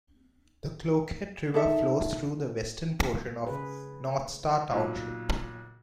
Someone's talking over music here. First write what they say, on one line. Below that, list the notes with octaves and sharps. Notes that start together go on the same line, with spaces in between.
The Cloquet River flows through the western portion of North Star Township.
D#4 A4 E5
C#3 G#4 B4
B1 A#2